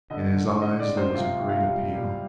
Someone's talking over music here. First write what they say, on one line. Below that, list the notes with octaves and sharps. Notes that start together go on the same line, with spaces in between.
In his eyes there was a great appeal.
D3 D#5
D3
G#3 D#5
D5
G#3
C5
C3 F4
C3
F5
G3
G3